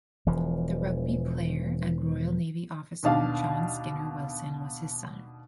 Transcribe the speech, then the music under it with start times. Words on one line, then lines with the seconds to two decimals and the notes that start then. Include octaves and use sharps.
The rugby player and Royal Navy officer John Skinner Wilson was his son.
0.26 E1 E3 F3
3.03 D#2 B2 D4 F5